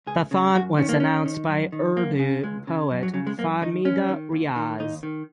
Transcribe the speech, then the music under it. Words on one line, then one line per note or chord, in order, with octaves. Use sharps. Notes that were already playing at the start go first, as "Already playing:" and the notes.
The font was announced by Urdu poet Fahmida Riaz.
C#2 G#4
C#3
F#2 F#4
D#3 C#4
A#3
D#2 C#4
D#3
F#2
D#3
F#2 A#3
C#3
C#2 G#3
C#3
F#2
F#3
C#3 F#3
G#3
F#2 A#3
D#3 D#4
F#2 C#4
D#3
D#2
D#3
D#2 D#4
D#3